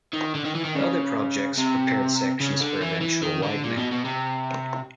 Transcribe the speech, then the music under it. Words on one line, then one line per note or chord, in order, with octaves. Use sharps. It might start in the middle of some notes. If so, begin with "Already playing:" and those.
Other projects prepared sections for eventual widening.
D#3
D3
D#3
E3
D#3
C#3
C3
C#3
D3
E3
E3
D#3
D3
A#2
B2
B2
C3